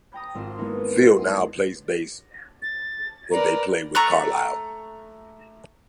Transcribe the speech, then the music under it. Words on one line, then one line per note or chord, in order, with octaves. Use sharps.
Phil now plays bass when they play with Carlile.
G5 A#5 D#6
G#1 C4 F4 D#5 C6 E7
G#3 A#3 B3 D#4 E4 A#4
C6 C7
A6
A#4 B4 D5 A#5
A3 A#5 C#6 F#6